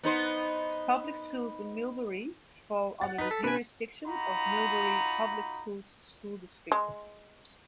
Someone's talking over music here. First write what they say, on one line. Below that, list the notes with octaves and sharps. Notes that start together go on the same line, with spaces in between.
Public schools in Millbury fall under the jurisdiction of Millbury Public Schools school district.
B3 D#4 C5
F#5 A6
D#4 B4 B6
A4
C3 D4 B4 G#5
D#4 F4 F#4 A#5 B5
G#3